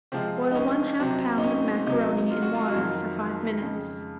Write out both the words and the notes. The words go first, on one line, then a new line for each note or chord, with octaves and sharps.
Boil one-half pound of macaroni in water for five minutes.
C3 F3 G#3 C4
D#4
C#4
C3 F#3 C4
D#4
C#4
C3 F#3 D#4
F4
F#4
F4
F#4
F2 D#3 F#3 F4
F2 C#3 G#3